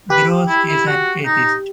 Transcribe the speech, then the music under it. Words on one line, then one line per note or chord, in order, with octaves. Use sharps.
Gross is an atheist.
G4 B4
E4
E4
F#4
D#4